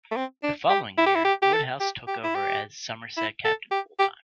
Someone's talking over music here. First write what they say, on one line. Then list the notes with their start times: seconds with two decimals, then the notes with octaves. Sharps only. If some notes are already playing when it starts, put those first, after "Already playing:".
The following year, Woodhouse took over as Somerset captain full-time.
0.11 A3
0.16 C4
0.43 D4
0.70 G4
0.98 E4
1.06 G4
1.15 E4
1.25 G4
1.42 G4
1.53 A4
1.80 G4
2.08 G4
2.23 E4
2.35 G4
3.17 E4
3.45 A4
3.71 G4
3.99 G4